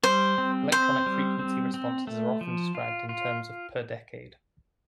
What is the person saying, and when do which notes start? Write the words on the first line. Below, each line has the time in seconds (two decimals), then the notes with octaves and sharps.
Electronic frequency responses are often described in terms of "per decade".
0.03 G3 C5
0.38 C4
0.71 C4 C5
1.06 G3
1.39 C4
1.74 C4
2.07 A3
2.41 F3
2.75 F4
3.09 F4